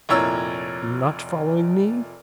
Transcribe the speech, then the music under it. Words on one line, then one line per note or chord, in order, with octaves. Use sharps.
Not following me?
F1 A#2 E4 C#5 A#5 E6